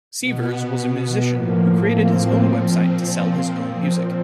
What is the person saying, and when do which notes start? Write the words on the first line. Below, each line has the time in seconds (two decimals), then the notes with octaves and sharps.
Sivers was a musician who created the website to sell his own music.
0.20 B2 B3
1.29 A2 F3 A#3
1.82 C4
2.36 A#2 F3 C4
3.44 A#2 F3 C4